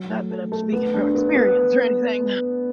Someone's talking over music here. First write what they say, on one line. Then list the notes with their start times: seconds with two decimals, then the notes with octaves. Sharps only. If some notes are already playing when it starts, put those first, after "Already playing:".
Not that I'm speaking from experience or anything.
Already playing: F#3
0.10 A3
0.31 A3
0.52 A3
0.72 B3
0.94 D4
1.14 B3
1.35 B3